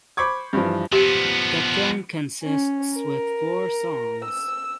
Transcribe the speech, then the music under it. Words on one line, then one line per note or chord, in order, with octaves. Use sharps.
The film consists with four songs.
C5 B5 C#6 D6 G#6
G2 E3 F3
F3 B3 G4
C#4
A#4
E6